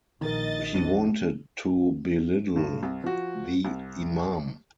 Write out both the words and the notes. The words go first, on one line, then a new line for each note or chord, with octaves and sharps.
He wanted to belittle the Imam.
A#1 D#3 A#4 D#5 A6
F2 D4 D#7
G2
C2
F3 F#4
C2